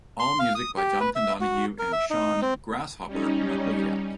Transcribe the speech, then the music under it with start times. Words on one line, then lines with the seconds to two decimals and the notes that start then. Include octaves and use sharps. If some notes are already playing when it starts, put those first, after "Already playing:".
All music by Jonathan Donahue and Sean "Grasshopper" Mackowiak.
0.19 C6
0.39 F5
0.55 D#6
0.77 G4
1.01 B4
1.16 E5
1.41 F#4
1.79 A#4
1.93 E5
2.10 D#4
2.42 C4
3.06 G3 C#4 D#4